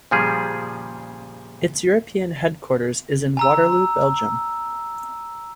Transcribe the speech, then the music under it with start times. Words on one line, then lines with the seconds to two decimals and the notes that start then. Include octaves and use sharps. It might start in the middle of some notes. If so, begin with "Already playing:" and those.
Its European headquarters is in Waterloo, Belgium.
0.11 A#2 C#3 F3 G3 G#4
3.37 G#5 A#5 E6